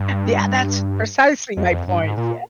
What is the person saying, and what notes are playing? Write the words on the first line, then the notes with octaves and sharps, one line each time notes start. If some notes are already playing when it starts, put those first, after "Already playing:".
Yeah. That's precisely my point. Yeah
Already playing: G2
F2
F2
G2
G#2
A#2